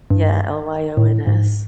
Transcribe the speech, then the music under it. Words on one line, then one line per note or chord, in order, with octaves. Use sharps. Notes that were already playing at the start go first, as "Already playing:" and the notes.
yeah, L-Y-O-N-S.
G2
A2
G#2